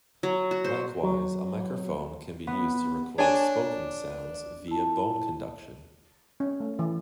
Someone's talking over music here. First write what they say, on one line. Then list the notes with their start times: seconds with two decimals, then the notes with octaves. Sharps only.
Likewise, a microphone can be used to record spoken sounds via bone conduction.
0.23 F#3
0.51 F#4
0.65 C5
1.03 F#3
2.47 B3
3.18 D4 C#5 G#5
4.68 E4 A5
6.40 C#4
6.60 A3
6.79 E3